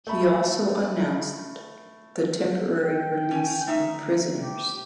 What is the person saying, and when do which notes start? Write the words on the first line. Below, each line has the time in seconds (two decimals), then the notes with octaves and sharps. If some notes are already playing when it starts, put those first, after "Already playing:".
He also announced the temporary release of prisoners.
0.07 A3 B5
2.83 G5
3.31 C#4 G#5
3.67 A3 D#4 E5
4.42 G4